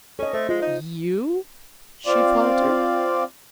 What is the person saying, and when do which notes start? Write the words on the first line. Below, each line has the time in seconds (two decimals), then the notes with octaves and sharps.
"You?" she faltered.
0.19 C#4 A4 D#5
0.33 A3 C5
0.49 G#3 F4
0.62 D#4
2.06 C4 F4 D5